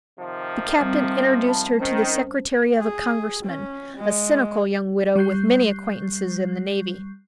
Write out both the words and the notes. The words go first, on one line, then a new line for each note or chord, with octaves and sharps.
The captain introduced her to the secretary of a congressman, a cynical young widow with many acquaintances in the navy.
C3 D#3 F3
G3 C4
A5 B5
D#3 C#4 C5
G#4
C#4
G#3
G3 C#6 F#6 G6 C7